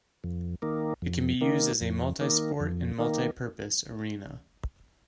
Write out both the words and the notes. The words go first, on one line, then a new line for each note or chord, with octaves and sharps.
It can be used as a multi-sport and multi-purpose arena.
F2
D#3 A#3
F2
D#3 A#3
F2
D#3 A#3
F2
D#3 A#3